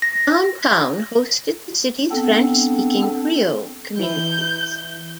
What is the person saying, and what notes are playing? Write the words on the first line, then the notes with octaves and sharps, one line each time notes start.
Downtown hosted the city's French-speaking Creole communities.
A#6
B3 C4 D4 A4
E3 E4 G6